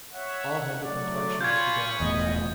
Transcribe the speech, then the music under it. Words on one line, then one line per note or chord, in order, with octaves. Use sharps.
All had the complexion of cadavers.
C#5 E5 F#5
F#3 A3 D5
F4 G#5 B5 C#6 G6 G#6
E1 E2 A2 D#5